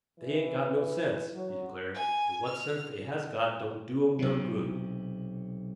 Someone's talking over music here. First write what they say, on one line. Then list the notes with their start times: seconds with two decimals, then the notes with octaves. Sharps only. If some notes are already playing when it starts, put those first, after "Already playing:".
"They ain't got no sense," he declared, "and what sense they has got don't do 'em no good."
0.19 E3
1.33 F#3
1.95 G#5
2.47 F6
4.19 B1 C3